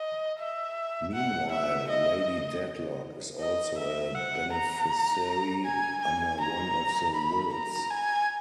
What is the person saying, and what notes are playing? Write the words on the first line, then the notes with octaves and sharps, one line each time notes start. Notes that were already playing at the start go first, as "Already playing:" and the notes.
Meanwhile, Lady Dedlock is also a beneficiary under one of the wills.
Already playing: D#5
E5
F#5
E5
D#5
D#5
E5
F#5
A#5
G#5
G#5
A#5
B5
A#5
G#5